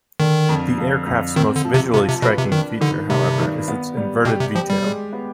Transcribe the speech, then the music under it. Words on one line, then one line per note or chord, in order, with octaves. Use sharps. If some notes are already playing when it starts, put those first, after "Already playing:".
The aircraft's most visually striking feature, however, is its inverted V-tail.
D3 D#3
F2
F2
F2
D#3 C4
D3
F3
C3
C3 F4
C3
B2 B4
C3
D#3 D4
D3 D#3
G2 C3
D#3
B3
G3
B2 G4
C3
F3 G4
G3
G#3
B3